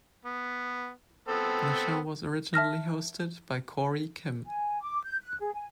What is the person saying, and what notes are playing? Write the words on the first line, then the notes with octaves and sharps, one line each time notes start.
The show was originally hosted by Cory Kimm.
B3
B3 C4 A4
E5 A5 F6 A#6
G#5
D6
G6
F#6
G#4
G#5